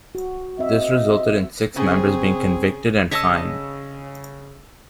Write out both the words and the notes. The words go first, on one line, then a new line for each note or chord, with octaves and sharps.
This resulted in six members being convicted and fined.
F#4
C4 D#5 E5
C#3 C4 G#4
C#3 C#5 D#5 A5 E6 A#6 B6